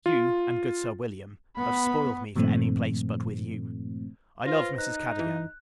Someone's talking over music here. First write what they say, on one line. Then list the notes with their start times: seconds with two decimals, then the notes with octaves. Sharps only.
You, and good Sir William, have spoiled me for any place but with you. I love Mrs. Cadogan.
0.06 F4
1.58 B3 B5
2.36 G2 A#2 D#3 F3 A3 C4
4.46 F4 B4 C5 A#6
4.78 D#4 F#6
5.19 E3